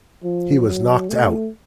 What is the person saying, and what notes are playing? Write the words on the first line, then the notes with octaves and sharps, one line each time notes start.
He was knocked out.
F3
F#3
A3